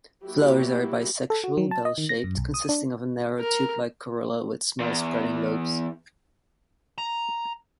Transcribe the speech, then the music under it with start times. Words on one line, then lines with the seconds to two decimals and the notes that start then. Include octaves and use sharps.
Flowers are bisexual, bell-shaped, consisting of a narrow tube-like corolla with small spreading lobes.
0.24 F#3 A#3 E4 F#4 G4
1.30 A4
1.44 F#4
1.57 F#3
1.71 A5
1.85 D#5
1.98 D#3
2.09 A#6
2.24 F#2
2.37 B1
2.54 D#6
2.69 D4
3.39 A#4
4.80 E2
6.98 A#5